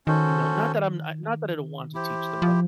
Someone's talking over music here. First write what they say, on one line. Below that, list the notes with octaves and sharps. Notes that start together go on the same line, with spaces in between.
You know, not that I'm I not that I don't want to teach them, but
D#3 C#4 F#4 A4 C5
E3 E4 G4 C5
F3